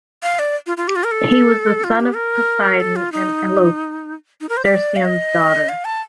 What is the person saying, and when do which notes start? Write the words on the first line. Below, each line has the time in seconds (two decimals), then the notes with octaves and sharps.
He was the son of Poseidon and Alope, Cercyon's daughter.
0.23 F5
0.39 D5
0.66 F4
0.77 F4
0.88 G4
0.96 F4
1.04 A#4
1.11 A4
1.84 F4
2.00 G4
2.15 A#4
2.80 A4
2.96 F4
3.12 D#4
4.41 D#4
4.49 A#4
4.57 C5
4.64 D5
4.96 F5
5.05 D#5
5.69 F5
5.85 A5